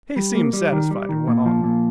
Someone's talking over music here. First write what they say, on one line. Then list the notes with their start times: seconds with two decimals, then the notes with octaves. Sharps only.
He seemed satisfied, and went on.
0.16 G3
0.35 A#3
0.53 G3
0.72 D#3
0.91 G3
1.09 D#3
1.28 A#2
1.46 F3
1.64 A#2